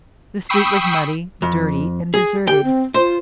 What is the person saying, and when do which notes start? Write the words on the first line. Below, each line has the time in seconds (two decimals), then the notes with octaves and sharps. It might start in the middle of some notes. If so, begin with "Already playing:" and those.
The street was muddy, dirty, and deserted.
0.49 G5 B5 C#6 D#6 E6 C7
1.42 F2
2.14 G#4
2.48 G4 G5
2.64 C4
2.94 F4 C5